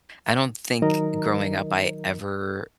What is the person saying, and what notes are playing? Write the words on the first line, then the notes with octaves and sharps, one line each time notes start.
I don't think growing up I ever
D#3 F#3 D#4 A#4 D#5 A#5